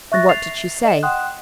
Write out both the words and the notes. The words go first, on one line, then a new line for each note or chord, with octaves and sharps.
"And what did she say?"
E5 C#6 F#6 A6 A#6
A6 C7 F7
D#5 E7
F#5 G5 C6 D#6 F#6